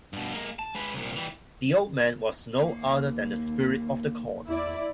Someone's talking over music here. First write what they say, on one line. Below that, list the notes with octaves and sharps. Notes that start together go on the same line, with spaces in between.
The old man was no other than the Spirit of the Corn.
G2 B2
G#3 A#3
A5
G#3 B4
C2 A#2
E3 G3
D#2 A#3
E2 E4 D5 E5